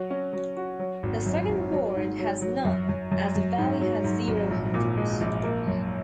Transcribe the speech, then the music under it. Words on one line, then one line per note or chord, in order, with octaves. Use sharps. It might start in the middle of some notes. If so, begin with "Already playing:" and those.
The second board has none, as the value has zero hundreds.
Already playing: F#3 F#4
C#4
F#3
F#4
F#3
G#1
F#2
G#1
F#3
G#2
F#3
F#3
F#2
F#2
F#2
F#2
G#2
F#3
G#2
G#1
A#1
A#2
G#3
A#1
A#3
F#2